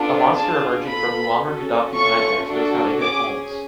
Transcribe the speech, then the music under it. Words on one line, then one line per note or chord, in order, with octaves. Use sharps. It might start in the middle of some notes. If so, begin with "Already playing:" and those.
A monster emerging from Muammar Gaddafi's nightmares knows how to hit homes.
Already playing: B3 D4 F4 A4
D4 F4 G#4 A5
B3 F4 A4 B5
C#4 F#4 A4
A3 C#4 F4 A4 C#6
D4 F#4 A4
C#4 G#4 D6